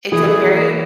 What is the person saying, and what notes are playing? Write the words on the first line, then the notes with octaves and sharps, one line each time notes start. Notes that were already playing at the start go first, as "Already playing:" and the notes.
it's a very
E3 G#4
A4
G#4